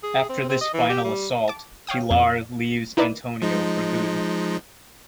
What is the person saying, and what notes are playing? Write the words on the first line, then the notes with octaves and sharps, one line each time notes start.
After this final assault, Pilar leaves Antonio for good.
G#4
C4
C4
D#5
E3
G4
G3
A5 D6
C#5 F5 G5 D#6
F2
D#4 E4 A#4 B4 D5
F3 G#3 D#4